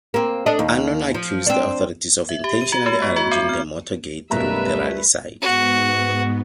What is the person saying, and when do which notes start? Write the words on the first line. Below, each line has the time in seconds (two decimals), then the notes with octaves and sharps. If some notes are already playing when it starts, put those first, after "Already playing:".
Anon accused the authorities of intentionally arranging the motorcade through the rally site.
0.14 A#3 C4
0.46 D4 A4 D#5
0.59 D#2
1.14 F3
1.47 C4 D4
2.29 E5
2.44 G4
2.61 D#7
2.72 F#4
2.86 A3
3.02 B3
3.16 F#4
3.31 C4
3.49 F6
4.31 B1 F#2 G3 A3 A#4 B4 E5 A#5
5.42 G#2 B3 F#4